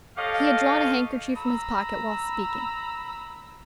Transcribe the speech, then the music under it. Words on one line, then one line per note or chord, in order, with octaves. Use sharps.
He had drawn a handkerchief from his pocket while speaking.
G4 A4 C#5 D#5 F5
A#5 B5 E6